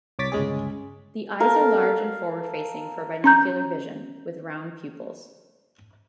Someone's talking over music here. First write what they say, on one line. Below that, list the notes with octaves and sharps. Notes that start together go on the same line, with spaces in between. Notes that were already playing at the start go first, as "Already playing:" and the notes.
The eyes are large and forward facing for binocular vision, with round pupils.
C2 C#5 D6 A6 B6
G1 C#2 G#3 C#4 G#4
A4 A#4 F5
C#4 A#5 G6